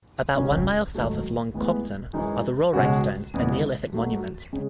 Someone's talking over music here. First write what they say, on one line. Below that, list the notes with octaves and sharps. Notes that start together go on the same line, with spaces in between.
About one mile south of Long Compton are the Rollright Stones, a neolithic monument.
C#2 C#3 F#3 C#4
G#2 D#3 F#3 A3
A2 E3 G#3 B3
F#2 E3 G#3 D#4
C#2 B2 G#3 C#4 F#4
E2 C#3 G#3
F#3 A3 D#4 F#4
C#3 G#3 C#4 G#4